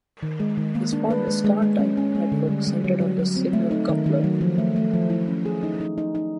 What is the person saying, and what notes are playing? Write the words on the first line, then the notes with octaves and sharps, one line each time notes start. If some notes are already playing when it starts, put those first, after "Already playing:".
This formed a star-type network centered on the signal coupler.
D#3
G#3
D#3
A#3
D4
B4
G#3
G#3
G#3
C#4
C#4
G#3
D3
G3
G3
F#3
F#3
F#3
C4
A3
D#4
D#3
D#3
F#3
F3
A3
A3
F3
E4
C#4
G#4
D#4
D#4
D#4
D#4